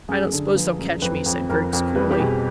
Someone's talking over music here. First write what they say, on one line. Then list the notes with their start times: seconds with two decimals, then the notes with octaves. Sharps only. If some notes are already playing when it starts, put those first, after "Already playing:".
"I don't suppose they'll catch me," said Griggs coolly.
0.09 F#2 G#4
0.32 D3 A4
0.56 F3 B4
0.79 F#2
1.02 F2 B4
1.26 F2
1.50 F2 A#4
1.73 F2
1.96 G3 B4
2.11 G4
2.19 B2 G#4